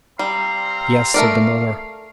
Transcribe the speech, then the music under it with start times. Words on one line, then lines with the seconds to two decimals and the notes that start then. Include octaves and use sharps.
"Yes," said the mother.
0.19 G3 C4 F5 A#5
1.14 A3 A#4 D5